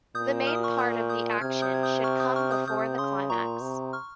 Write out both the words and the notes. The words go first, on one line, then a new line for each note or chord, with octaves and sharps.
The main part of the action should come before the climax.
A#2 D#6 G6
F6
D#6
C#6 F6
D#6 G6
D#6 G6
G6
C3 F6 G#6
D#6 G6
G#6
D#6 G6
C#6 F6
D#6 G6
C#6 F6
D#6 G6
C3 D#6 G6
C#3 C6 D#6
A#2 A#5 C#6
C3
C#6 F6